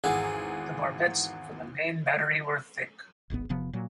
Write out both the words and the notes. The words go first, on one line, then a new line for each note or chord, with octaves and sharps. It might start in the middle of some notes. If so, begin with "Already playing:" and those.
The barbettes for the main battery were thick.
G#1 E2 G#4 A4 F#5 G#5
D1 G#1 G#2 B3
E1 C3 F3 B3
A#2 F#3